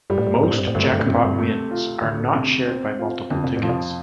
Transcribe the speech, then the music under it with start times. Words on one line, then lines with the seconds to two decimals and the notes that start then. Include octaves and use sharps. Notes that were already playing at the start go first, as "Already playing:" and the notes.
Most jackpot wins are not shared by multiple tickets.
0.10 G2 G3
0.18 A2
0.27 G2
0.35 A2
0.42 G2 C4
0.51 A2
0.58 G2
0.67 A2
0.74 D2 G2
0.83 A2
0.92 G2
0.99 A2
1.06 G2 C3
1.16 A2
1.25 G2
1.39 A3
1.71 F4
2.02 D2 A2
2.35 C3
2.67 C4
2.99 F4
3.30 F2 D3
3.44 C3
3.56 A2
3.63 F3
3.69 C3